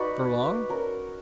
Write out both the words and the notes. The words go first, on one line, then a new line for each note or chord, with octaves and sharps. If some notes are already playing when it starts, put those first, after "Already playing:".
"For long?"
Already playing: D#4 F#4 B4 D5
C#4 F#4 A#4